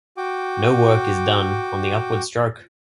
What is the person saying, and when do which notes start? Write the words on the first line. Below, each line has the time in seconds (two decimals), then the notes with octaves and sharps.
No work is done on the upward stroke.
0.17 F#4 G5 D6